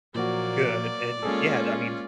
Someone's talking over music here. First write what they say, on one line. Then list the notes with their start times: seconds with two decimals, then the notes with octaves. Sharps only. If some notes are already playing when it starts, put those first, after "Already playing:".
good, and, yeah, that means
0.15 A#2 F3 F#3 A#3 F#4 D5
1.23 G#3 A#3 C#4 F4 G#4 A4